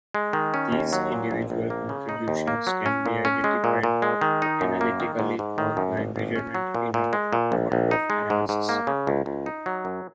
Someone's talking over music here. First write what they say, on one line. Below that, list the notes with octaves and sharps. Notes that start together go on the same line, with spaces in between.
These individual contributions can be identified analytically or by measurement in a Bundorf analysis.
G#3
D#3
C#4
D#2
F#3
A#2
A#1
A#1
A#3
C#3
D#4
D#2
A#3
F#3
C#4
A#2
C#4
G#3
A#2
A#2
G#3
D#3
D#4
F#2
A#3
D#3
G#2
G#2
D#3
F#2
G#1
G#1
C#4
F#3
A#2
A#2
G#3
A#2
A#1
A#1
D#4
G#3
G#2
G#2
A#3
C#3
C#2
C#2
D#4
F#3
F#2